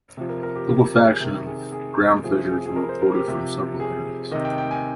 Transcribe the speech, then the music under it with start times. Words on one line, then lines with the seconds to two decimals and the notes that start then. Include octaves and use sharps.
Liquefaction and ground fissures were reported from several areas.
0.17 C3 F3
0.29 A#4
0.43 A#4
0.56 G4
0.68 G4
0.94 G#4
1.20 C3 D#3
1.46 G#4
1.73 G#4
2.24 C3 F3 G#4
2.51 G#4
2.66 G#4
2.76 A#4
2.89 C5
3.02 A#4
3.14 G4
3.28 C3 F3
3.80 G#4
4.31 C3 D#3 D#5
4.45 G5
4.58 G5
4.71 G#5